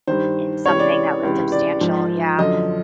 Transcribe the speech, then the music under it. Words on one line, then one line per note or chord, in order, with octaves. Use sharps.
In something that was substantial, yeah
G2 D#3 C5
C#2 C3 E3 C#5
D5
C#2 C3 E3
D5
G#2 F3
F#2 D3 F3 D#5